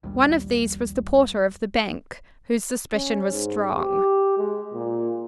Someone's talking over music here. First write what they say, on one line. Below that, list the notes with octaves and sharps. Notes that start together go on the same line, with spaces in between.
One of these was the porter of the bank, whose suspicion was strong.
A#1 D#2 G3
C#4
G#2
G4
G#3
A#2